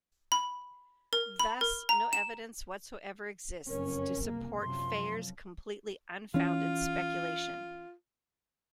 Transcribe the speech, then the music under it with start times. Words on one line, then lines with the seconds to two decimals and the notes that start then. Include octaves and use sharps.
Thus no evidence whatsoever exists to support Phayer's completely unfounded speculation.
0.32 B5
1.13 A#4
1.40 B5
1.61 A#4
1.89 A#5
2.13 E7
3.69 F#1 F2 C#4 A#4
4.28 C2 A#3
4.60 F#2 C3 F3 C6
6.34 E3 C#4 F4